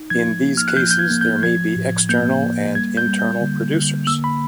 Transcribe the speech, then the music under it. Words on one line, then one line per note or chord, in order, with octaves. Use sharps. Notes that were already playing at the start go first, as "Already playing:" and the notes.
In these cases, there may be external and internal producers.
Already playing: D#4
F3 G#6
A#3
F6
F#6
F3 G6
G6
G#6
A#3
G6
F3 G#6
A2
A#3 G6
A#3
G3 G#6
G6
G3
G6
D3
D3
A#3 E6
B5